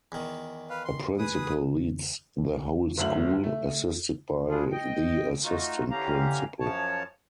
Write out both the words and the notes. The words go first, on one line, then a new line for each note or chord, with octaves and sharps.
A Principal leads the whole school assisted by the Assistant Principal.
E2 D#3
B4 F5
C6
G#4 B4 D#6
F#1 D2 A3 F#7
A3
G3 D4 F4 G#4
D#5 G5
A3 D#4 F4 F#4
D3 E3 C#4 G4 F5 A#5
F#2 F3 C#5 A5